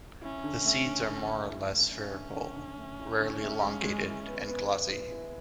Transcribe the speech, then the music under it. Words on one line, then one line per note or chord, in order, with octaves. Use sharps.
The seeds are more or less spherical, rarely elongated and glossy.
C#4 E4
D3
A3
D3
D3
A3
E4
A3
A3 C#4
D3
D3
D3
A3
E4
D3
A3
G#3
G#3
E4
B3
B3
B3
B3
E4